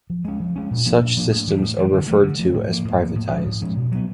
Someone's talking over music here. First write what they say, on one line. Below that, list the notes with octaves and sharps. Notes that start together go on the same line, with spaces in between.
Such systems are referred to as 'privatized.
F3
G#3 C#4
F3
G#3 C#4
A#2
F3 A#3 D4
A#2
F3 A#3 D4
A2
E3 G3
A2
E3 G3
D3
F3 A3
D3
F3 A3
A2
F3 A#3
A2
F3 A#3
A2
F3 G#3 C#4
A2
F3 G#3 C#4
B2
F#3 B3